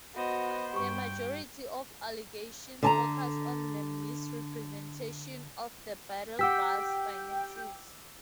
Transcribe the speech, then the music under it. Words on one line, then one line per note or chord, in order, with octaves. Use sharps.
The majority of alligations focus on the mis-representation of the "battle-bus" finances.
B3 F#4 C5 D#5
G2 G4 G5 C#6
D3 A5 A#5
G4 F#5 G5 D6 E6 B6